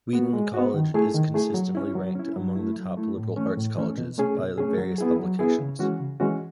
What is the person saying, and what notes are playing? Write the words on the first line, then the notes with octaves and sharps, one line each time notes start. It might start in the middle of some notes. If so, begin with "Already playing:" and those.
Wheaton College is consistently ranked among the top liberal arts colleges by various publications.
B3 F#4
G#3
B3 F#4
D#3
A3 E4 G#4
D#3
A3 E4 G#4
F#3
C#4 E4
F#3
C#4 E4
F#3
A3 E4
F#3
A3 E4
A2
E3 A3 C#4
A2
E3 A3 C#4
B2
A3 C#4 G#4
B2
A3 C#4 G#4
F#3
B3 E4 G#4
F#3
B3 E4 G#4
C#3
E3 G#3 C#4 F#4
C#3
E3 G#3 C#4 F#4